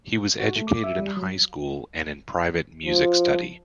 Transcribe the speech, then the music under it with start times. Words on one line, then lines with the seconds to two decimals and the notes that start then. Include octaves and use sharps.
He was educated in high school and in private music study.
0.40 F#4
0.56 A3
0.67 D6
0.84 E5
0.99 G3
1.17 F#3
2.86 F3